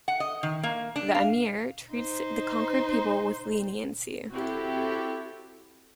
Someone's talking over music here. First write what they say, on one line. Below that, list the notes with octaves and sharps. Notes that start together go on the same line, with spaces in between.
The "amir" treats the conquered people with leniency.
F#5
D#5
D#3
A#3
D4
F5
D#4 C5
C4 E4 F#4 G4 A4